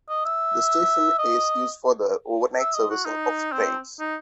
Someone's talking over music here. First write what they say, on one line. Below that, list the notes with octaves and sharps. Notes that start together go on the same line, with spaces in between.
The station is used for the overnight servicing of trains.
D#5
E5
D#5
E5
D#5
F#4
D#4
C4
D#4